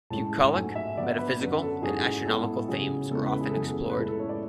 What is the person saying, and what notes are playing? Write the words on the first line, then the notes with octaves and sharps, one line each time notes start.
Bucolic, metaphysical and astronomical themes are often explored.
A2 G#3 C#4 E4 A5
G#2 F#3 A3 G#5
E5
D3 F#3 B3 D4 D5
B4
F#2 D3 F#3 B4
A4
G#2 F#3 C#4 E4 G#4
A2 G#3 B3 E4 A4
C#3 F#3 C#4 E4 G#4
E2 C#3 G#3 C#4 E4 A4
B4
G#4
A4
F#2 E3 B3 G#4
B4
A2 G#3 C#4 E4 A4
A4
C#5
D5